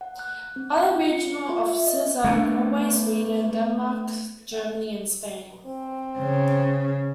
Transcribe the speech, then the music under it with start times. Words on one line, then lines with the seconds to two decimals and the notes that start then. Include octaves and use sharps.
Other regional offices are in Norway, Sweden, Denmark, Germany and Spain.
0.01 F#5
0.19 F#6
0.56 C4
0.72 F#5
0.91 F4
1.13 C#7
1.49 F4
1.69 E5
1.87 D#5
2.24 A3 B3 C4 D4
5.66 C4
6.20 C#3